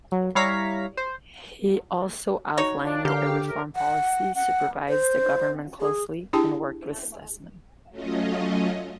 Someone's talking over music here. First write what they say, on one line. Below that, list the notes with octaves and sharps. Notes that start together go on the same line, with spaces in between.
He also outlined a reform policy, supervised the government closely, and worked with statesmen.
F#3
G3 E4 C#5 F5 A#5 B6
C5
D#4 F#4 C#5
F3 D4
D3 G4 A#4 F5
A2 A#4
F#5
F#5
C5
G#4
D4 E4 G4 G#4 G5 A5
F#3 A3 C#4 F4 D#5